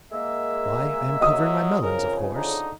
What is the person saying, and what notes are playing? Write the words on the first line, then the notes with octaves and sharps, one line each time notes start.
"Why, I am covering my melons, of course!"
G#3 A#3 E5
F#3 D#5 D#6
F2 G#2 C#3 A#4
D3 D#4